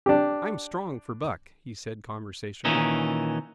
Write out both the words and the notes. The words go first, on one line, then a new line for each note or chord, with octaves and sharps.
"I'm strong for Buck," he said conversationally.
D4 G4
A#2 D#3 E3 C#4 D#4